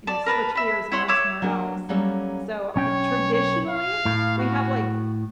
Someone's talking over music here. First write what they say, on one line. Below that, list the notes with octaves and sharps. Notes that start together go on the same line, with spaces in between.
you know, switch gears and run somewhere else. So, uh, traditionally, we have, like,
D5 A5
A#4 B4 A5
E5 B5
E4 C#5 F#5 C6
C#5 E5 D6
F#3 A#3 D4 A#4
F#3 G3 A#3 C#4 A4
B1 C#4 C#5 G5
C#5
F5
A2
F#4